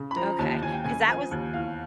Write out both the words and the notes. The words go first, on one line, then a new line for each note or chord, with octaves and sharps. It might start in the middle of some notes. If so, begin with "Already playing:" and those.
Okay, 'cause that was
Already playing: C#3
B5
F3 A#5
D#2 A5
D#2 G#5
G5
C#3 G#5
F3 G#5
D#2
E2 F5